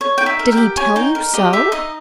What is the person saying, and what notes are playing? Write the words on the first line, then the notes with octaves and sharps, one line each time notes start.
"Did he tell you so?"
C#5
D#4 G5
E5
A#4
G5
G4
C#5 G#5
D#4 G5
A#4
G4 D#5
D#4 E5
D#4 D#5